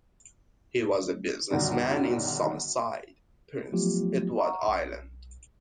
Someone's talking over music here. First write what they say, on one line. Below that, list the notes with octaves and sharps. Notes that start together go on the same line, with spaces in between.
He was a businessman in Summerside, Prince Edward Island.
B1 F#2 D3 D#3 G3
F3 F#3 A3 B3 F4 G4
F#5 A#5 C#6
B1